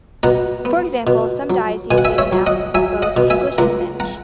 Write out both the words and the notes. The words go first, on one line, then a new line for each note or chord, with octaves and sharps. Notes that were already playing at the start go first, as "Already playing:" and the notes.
For example, some dioceses say the Mass in both English and Spanish.
B2 F#5 A#5
B3
B2
F#3
B2 G#5
F#5
E5 G#5
C#5 E5
F#3
D#5 F#5
F#3 E5 G#5
D#5 F#5
B2
E5 G#5
C#2 F#5 A#5
F#5 A#5